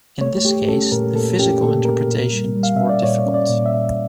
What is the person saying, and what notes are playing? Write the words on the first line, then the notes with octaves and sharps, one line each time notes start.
In this case, the physical interpretation is more difficult.
A3 C#5
A3 G4
C#4 A4
A#2 A#4
A#2 A4
C#4 G4
A#2 A4
A#2 A#4
A#2
G3
G3
F5
C#4 E5
D5
A#2 C#5
C#4
D5
A#2
E5
A#2